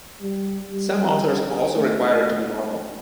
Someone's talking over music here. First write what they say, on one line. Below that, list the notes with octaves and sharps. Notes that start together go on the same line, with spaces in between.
Some authors also require it to be normal.
G3
G3
A3
A3